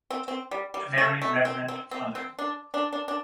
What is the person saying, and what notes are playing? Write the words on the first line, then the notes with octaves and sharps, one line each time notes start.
The Very Reverend Fr.
C4
C4
G3
G3
A3
A3
C4
C4
C4
C4
D4
D4
D4
D4